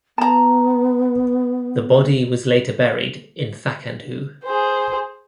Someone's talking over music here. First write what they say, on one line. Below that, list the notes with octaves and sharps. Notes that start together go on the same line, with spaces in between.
The body was later buried in Thakandhoo.
B3 A5 A#5
G#4 C5